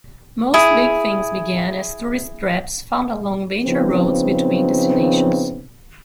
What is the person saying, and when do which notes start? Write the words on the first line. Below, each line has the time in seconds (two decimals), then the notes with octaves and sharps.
Most big things began as tourist traps found along major roads between destinations.
0.54 E4 G#4
3.64 C#3 F3 B3 C4 D#4